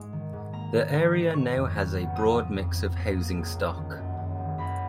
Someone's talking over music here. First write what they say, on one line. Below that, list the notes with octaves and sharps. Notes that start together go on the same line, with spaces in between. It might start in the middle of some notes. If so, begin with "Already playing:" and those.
The area now has a broad mix of housing stock.
Already playing: G#2 G#3
D#3
G#2
A#3 A#5
D#3
D#3
D#3
C#3 C#6
F2
F2
B3
F3 D#6
F3
F2
F3
A#3 D#6
A#3
C#2
A#3
D#3
F#2
F#2
D#3
F#2 B5